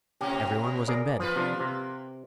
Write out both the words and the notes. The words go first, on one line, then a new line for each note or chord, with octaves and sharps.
Everyone was in bed.
A2 C3 C#4 G4
G#4 A#4 D5
F3 A#3 F4 B4
C3 F3 D4
C3